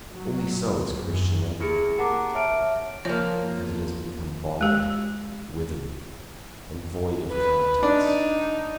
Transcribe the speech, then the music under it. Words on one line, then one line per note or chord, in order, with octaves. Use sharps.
Only so is Christianity complete, because it has become bald, withered, and void of contents.
F#3
F#2
A#3 E4 G4 G#4 C#7
G4 A#4 F#5 A5 A#5 D6
C#5 E5 A5 F6 D7
F3 A#3 C#5
G#3 G4
B4
D4 D#4